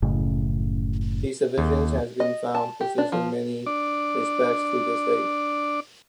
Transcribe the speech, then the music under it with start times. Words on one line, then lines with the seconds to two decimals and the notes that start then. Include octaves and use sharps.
These divisions have been found to persist in many respects to this day.
0.02 F#1 A2 C#3
1.58 D#2
2.20 D#5
2.55 A5
2.81 G4
2.98 D4
3.12 F3
3.67 D4 D5